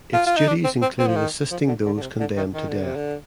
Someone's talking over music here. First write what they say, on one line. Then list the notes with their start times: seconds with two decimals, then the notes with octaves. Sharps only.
Its duties included assisting those condemned to death.
0.13 F4
0.27 F4
0.37 D#4
0.48 D4
0.64 C4
0.82 C4
0.99 C4
1.07 F3
1.16 D#3
1.51 F3
1.67 D3
1.85 D3
1.96 D3
2.02 C3
2.20 D3
2.37 D#3
2.54 D#3
2.68 D3
2.83 C3
2.96 D3